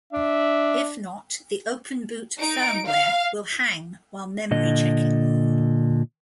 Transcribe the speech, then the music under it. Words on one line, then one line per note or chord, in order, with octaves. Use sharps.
If not, the OpenBoot firmware will hang while memory checking.
D4 E5
D#4 D7
F5
A#2 D3 D#5